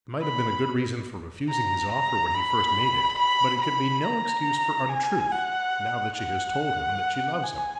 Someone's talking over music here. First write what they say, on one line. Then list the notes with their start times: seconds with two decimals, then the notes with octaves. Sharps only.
"That might have been a good reason for refusing his offer when he first made it; but it can be no excuse for untruth, now that she has told him that she loves him!"
0.22 B5
1.50 A#5
1.92 A#5
2.34 B5
3.19 B5
3.62 B5
4.04 A#5
4.89 G#5
5.31 F#5
6.17 F#5
7.43 G#5